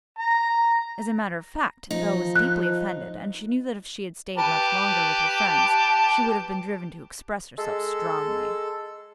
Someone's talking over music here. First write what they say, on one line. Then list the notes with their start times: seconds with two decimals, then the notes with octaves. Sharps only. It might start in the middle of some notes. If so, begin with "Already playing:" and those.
As a matter of fact Belle was deeply offended, and she knew that if she had stayed much longer with her friends she would have been driven to express herself strongly.
0.18 A#5
1.91 F3 D#4
2.36 F#6
4.38 G4 B4 A5
7.58 G#3 A4